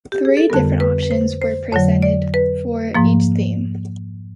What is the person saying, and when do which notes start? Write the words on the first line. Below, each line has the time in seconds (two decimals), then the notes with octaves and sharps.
Three different options were presented for each theme.
0.12 G4
0.25 G#4
0.37 A4
0.50 F2 D3 G3 B3 A#4
0.80 B4
1.03 B4
1.11 C5
1.42 C5
1.73 F2 D3 F#3 C#5
2.02 D5
2.34 B4
2.95 G#2 F3 A#3